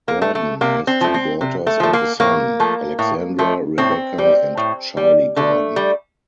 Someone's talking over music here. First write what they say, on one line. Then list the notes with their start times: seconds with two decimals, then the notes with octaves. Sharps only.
Gordon has two daughters and a son, Alexandra, Rebecca, and Charlie Gordon.
0.08 A#3
0.22 A3
0.35 A3
0.61 C3 A#3
0.87 C4
1.01 F3 A3
1.14 C4
1.41 C3
1.67 A3
1.80 F3 A3
1.93 A#3
2.20 A2 A#3
2.60 F3 A3
2.99 A2
3.39 F3 A3
3.78 A2 C4
4.18 G3
4.57 A2
4.97 G3
5.36 D3 A3
5.76 G3